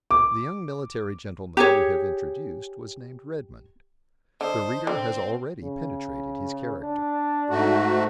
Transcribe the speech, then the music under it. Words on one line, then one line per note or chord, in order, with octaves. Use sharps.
The young military gentleman we have introduced was named Redmond. The reader has already penetrated his character.
D6
G4 G#4 C#5
D3 C5 D#5 A5 D#6
D3 C4 G5
C#3
D4
G#2 A3 F#4